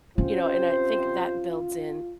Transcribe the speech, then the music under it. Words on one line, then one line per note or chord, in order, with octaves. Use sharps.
you know, and I think that builds in
C3 C4 C#4 F4 C5